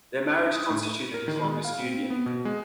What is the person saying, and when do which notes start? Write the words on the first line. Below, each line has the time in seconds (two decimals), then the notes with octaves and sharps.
Their marriage constituted his longest union.
0.40 E5
0.53 D#6
0.70 A2
0.83 D#7
1.14 A#4
1.28 D#3
1.44 G#3
1.65 F5
1.79 C4
2.10 B3
2.26 B2
2.45 G#3